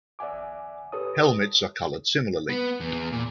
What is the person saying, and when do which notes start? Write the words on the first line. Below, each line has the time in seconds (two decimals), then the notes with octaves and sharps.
Helmets are coloured similarly.
0.19 D5 E5 F#5 G#5 D6
0.92 G4 A4 B4 C#5 D#6
2.49 B3
2.80 E2
3.12 A#2